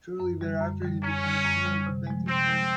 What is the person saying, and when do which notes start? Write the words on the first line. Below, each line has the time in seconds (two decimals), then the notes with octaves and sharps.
Shortly thereafter he became a criminal defense attorney.
0.20 F#2
0.41 D3 G3
0.61 F#2
0.82 D3 G3
1.03 F#2 C#4
1.24 D3 G3
1.45 F#2
1.66 D3 G3
1.87 C3
2.07 F3 G#3
2.28 C3 C4
2.48 F3 G#3